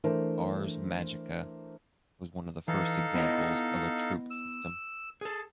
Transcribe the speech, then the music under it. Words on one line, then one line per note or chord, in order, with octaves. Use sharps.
"Ars Magica" was one of the first examples of a Troupe system.
E3 A3 D4 A#4 C5
E3 D#4 A4 F5
B3 E4 D#5
E6
G#4 A4